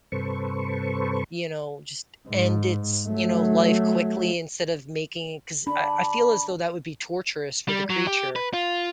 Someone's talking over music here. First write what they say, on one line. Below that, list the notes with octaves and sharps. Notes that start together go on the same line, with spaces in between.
you know, just end its, you know, life quickly instead of making it 'cause I I feel as though that would be torturous for the creature,
G2 C3 A4 B4 C5 C#6
G#2
F#3 A3
D4 B5
G3
F#3
G4
B4
F4